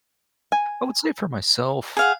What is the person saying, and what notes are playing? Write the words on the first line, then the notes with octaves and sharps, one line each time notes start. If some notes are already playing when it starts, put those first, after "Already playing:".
I would say for myself,
G#5
G#4 F5 F#5